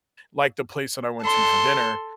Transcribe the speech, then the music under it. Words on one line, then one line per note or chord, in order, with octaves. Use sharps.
like the place that I went to for dinner,
A4 C6